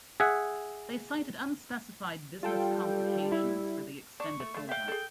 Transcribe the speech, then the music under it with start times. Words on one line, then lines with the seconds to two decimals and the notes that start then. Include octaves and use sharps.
They cited unspecified "business complications" for the extended hold up.
0.20 G#4 E5 F#5
2.43 G3 F4 A4 G5
3.32 E4
4.20 D4 C#6
4.40 A3
4.54 A3 F4
4.69 E5 F5 G5
4.88 G#4 A4